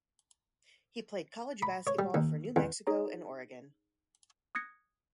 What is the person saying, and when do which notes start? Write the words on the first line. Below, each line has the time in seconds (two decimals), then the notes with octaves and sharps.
He played college basketball for New Mexico and Oregon.
1.62 B5
1.87 C#5
1.99 G3
2.14 D#2
2.56 E2
2.87 D#4 G#4 C#5 A#5
4.55 D#6 F#6 G#6 A#6 C#7